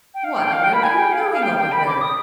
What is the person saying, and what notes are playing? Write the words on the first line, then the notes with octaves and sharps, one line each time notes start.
"What on earth are you doing over here?"
G5
F5
G5
F5
G5
B5
G#5
G5
F5
F5
G5
G5
B5
D6
D#6